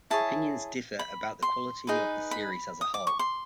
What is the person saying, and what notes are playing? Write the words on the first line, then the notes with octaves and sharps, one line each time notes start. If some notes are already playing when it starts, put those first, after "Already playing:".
Opinions differ about the quality of the series as a whole.
E4 G#4 C#5 A5
B5
C6
D#4 G#4 B4
B5
D#6
D6
C#6
C6